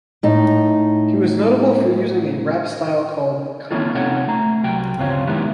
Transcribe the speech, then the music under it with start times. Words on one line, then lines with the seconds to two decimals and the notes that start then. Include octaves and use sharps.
He was notable for using a rap style called "compounding".
0.23 A2 D#4
3.71 A#3 C4 C#4 E4 F4 A4
3.95 C3 C4 C#4 D#4 F#5
4.28 A3 A#5
4.63 C2 F#3 G5
4.97 D2 G2 C#3 C4 C#4 F4
5.27 D#3 G3 G#3 B3 D#4 E4